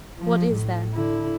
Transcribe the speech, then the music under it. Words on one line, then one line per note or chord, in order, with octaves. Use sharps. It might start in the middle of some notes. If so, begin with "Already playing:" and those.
What is there?
F3
A2
D3 E4